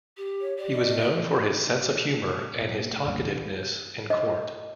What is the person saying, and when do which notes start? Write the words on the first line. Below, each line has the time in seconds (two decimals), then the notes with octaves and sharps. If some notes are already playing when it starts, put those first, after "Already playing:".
He was known for his sense of humour and his talkativeness in court.
0.17 G4
0.41 C#5
0.57 G4 D5
0.73 D#5
2.62 B2
2.75 A#2
2.93 A3
3.05 C#2 G2 A#2 C#3
3.21 A1 A2 C#3 E3
4.10 D#5